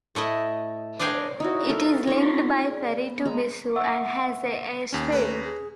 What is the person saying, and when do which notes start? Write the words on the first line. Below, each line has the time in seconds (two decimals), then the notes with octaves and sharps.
It is linked by ferry to Bissau and has an airstrip.
0.15 A2 A3 E4 D#5
0.99 D4 D5 D#5 F5 G5 G#5
1.40 D#4 E4 F#4
1.69 A4 A#4
2.07 C4 D#4 F4 C#5 C#6
2.66 G#4 D5
3.06 B3
3.25 G#3 A#5
3.76 E5 F#5 C#6 E6
4.93 D#2 C#4
5.12 A3 B4 C#5 A#5
5.45 G#4